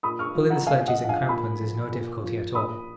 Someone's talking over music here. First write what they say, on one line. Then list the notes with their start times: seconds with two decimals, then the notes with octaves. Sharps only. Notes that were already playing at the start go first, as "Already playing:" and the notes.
Pulling the sledges in crampons is no difficulty at all.
0.03 A#2 B5 D#6
0.19 C#6 F6
0.35 F3
0.50 F#5 A#5
0.67 A#2 F5 G#5
0.88 D#5 F#5
0.99 F3
1.04 F#5
1.09 F5 G#5
1.29 A#2 G#5 B5
1.61 F3
1.92 A#2
2.24 F3
2.55 A#2 B5 D#6